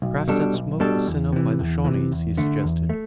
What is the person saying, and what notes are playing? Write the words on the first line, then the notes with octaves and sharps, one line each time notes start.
"Perhaps that smoke was sent up by the Shawnees," he suggested.
B1
B2 G3 D4 A4
B1
B2 G3 D4 A4
E2
C3 E3
E2
C3 E3
E2
D3 A3
E2
A3